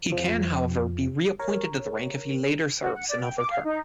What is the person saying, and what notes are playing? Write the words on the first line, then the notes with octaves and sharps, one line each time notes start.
He can, however, be re-appointed to the rank if he later serves another term.
F2 F3
A#4 C#5
F#4
F#5
D5
G5
D6
F5
D#4